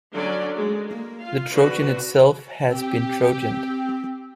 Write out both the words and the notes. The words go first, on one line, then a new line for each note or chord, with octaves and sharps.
The Trojan itself has been Trojaned.
D3 F#3 C#4 A4 D5
G#3
A#3
F4 F5
C4 D4 F#4 B4
C4 G4 G5